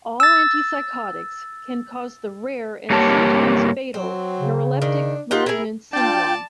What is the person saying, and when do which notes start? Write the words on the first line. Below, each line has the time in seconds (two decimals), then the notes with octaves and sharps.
All antipsychotics can cause the rare and sometimes fatal neuroleptic malignant syndrome.
0.20 E6 A6
2.90 G2 A#3 G4 C#5 A5
3.94 F#3 C4
4.39 C#3
4.82 D#3 D4
5.31 D#4 F4 G4 F#5
5.46 E4 G#4 A#4
5.93 D4 F4 D5 G5 A5